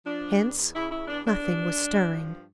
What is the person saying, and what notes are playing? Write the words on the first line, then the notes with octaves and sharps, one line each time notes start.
Hence nothing was stirring.
F3 D4
E2
C#3 E4
E4
E2 D4
D4
G2
G2
F3